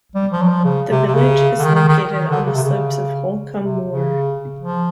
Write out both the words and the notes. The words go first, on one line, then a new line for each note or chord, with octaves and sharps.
The village is located on the slopes of Holcombe Moor.
G3
F3
F#3
F3
C#3
C3
C3
C#3
D3
D#3
D#3
D#3
D#3
D3
C#3
C3
C#3
C3
C#3
F3